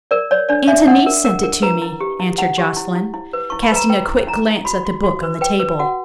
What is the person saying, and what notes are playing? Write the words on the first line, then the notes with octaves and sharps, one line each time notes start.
"Aunt Annice sent it to me," answered Joscelyn, casting a quick glance at the book on the table.
A#4 D5
C#5 D5
D4 D5
D4 E5
D4 F#5
A#4
A#4
A#4
B4 A#5
E4
G4
E4
E4 F#5
G4
E4
E4
E4
B4
E4 C#6
B5
B4 A#5
B4 G5
E4
E4 A#5
E4
F#4 B5
F#4
F#4
B4
B4 G5
B4
F#4 F#5